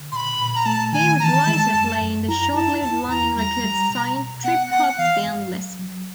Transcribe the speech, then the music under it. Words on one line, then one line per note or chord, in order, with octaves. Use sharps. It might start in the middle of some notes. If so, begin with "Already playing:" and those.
He would later play in the short-lived London Records-signed trip hop band Lisp.
Already playing: D3
A#2 B5 C6
A#2
A#5
A3 A5
D#3 G#5
E3 A5 A#5
G#3
F#2
F#2
E4 A#5
E4 A5
E2 A5
E2 A#5
G3 A#5
G3
B2
B2
B3 F#5
B3 F#5
E3 F5
G2
F#3
F#3